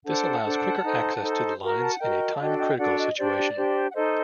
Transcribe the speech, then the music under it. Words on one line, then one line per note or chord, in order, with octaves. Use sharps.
This allows quicker access to the lines in a time-critical situation.
D4 A4 C5 F#5 A5
D4 A4 C5
D#4 A4 C5
D#4 A4 C5
F#4 A#4
F#5 A5
F#4 A#4 D#5 G5
A5
D4 F#4 A4 D#5 G5
D#5 G5
D4 F#4 A4 D5 F#5
D#5
D4 G4 C5 D5
D4 G4 C5
F#5
D#4 A4 C5 D#5